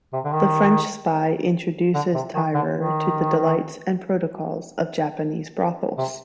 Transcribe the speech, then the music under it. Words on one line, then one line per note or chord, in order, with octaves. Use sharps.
The French spy introduces Tyrer to the delights and protocols of Japanese brothels.
C3
D3
D#3
D3
C3
D#3
D3
D#3
C3